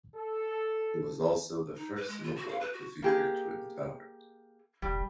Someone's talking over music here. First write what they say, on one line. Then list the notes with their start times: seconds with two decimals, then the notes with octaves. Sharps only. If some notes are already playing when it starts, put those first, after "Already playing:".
It was also the first in the world to feature twin-towers.
0.15 A4
1.77 D#4
1.96 B4
2.08 G#3
2.23 F4
2.36 F#4
2.48 F5
2.61 B4
2.73 F#4
3.02 A#3 G4 G#4
4.82 E1 G3